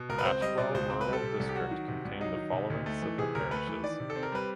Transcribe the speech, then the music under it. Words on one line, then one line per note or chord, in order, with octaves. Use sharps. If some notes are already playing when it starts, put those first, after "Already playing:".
Ashwell Rural District contained the following civil parishes.
Already playing: B2
C#2 A#4
B4
C4 C5
G3 D#5
B2 D5
C#2 C5
C4
B4
G3
A4
C3
C2
G4
F#3 F#4
D#3
C3
C2
F#3 D#4
D#3
C3
D2
A3
E3
C3 G#4
D2 A#4
A3 B4
E3
D#3 D5
C3
A4
C4
A#4
G3 B4